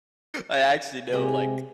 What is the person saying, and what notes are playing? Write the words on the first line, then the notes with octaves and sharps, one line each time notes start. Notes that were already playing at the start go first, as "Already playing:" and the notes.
I actually know, like,
C3 G#3 G4 G#4